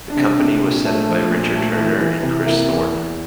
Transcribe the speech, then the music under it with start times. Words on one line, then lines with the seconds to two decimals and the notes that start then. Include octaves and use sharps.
The company was set up by Richard Turner and Chris Thornton.
0.10 D4
0.17 C3
0.39 C3
0.62 A#2
0.85 A3
1.08 F3
1.31 A#2
1.54 A3
1.77 E3
2.00 E3
2.23 C3
2.45 A#3 E4
2.69 E2
2.91 E2